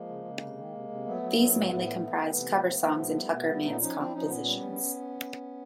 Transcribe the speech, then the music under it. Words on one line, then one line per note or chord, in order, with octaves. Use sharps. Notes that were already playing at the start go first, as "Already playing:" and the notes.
These mainly comprised cover songs and Tucker-Mantz compositions.
Already playing: F3 G#3 A#3
C#3
C#3
C3
D#3
C3
C3
F#3 A3 B3
F#3
F#3
A2
A2
E3
E3
E3
C3
F3
F3
F3
B2
G3
B2
G3
A#2 C#4 D#4
F3 C#4 D#4
F3 C4 D4
E4
F3 C#4 D#4
A#2 B3 C#4
G3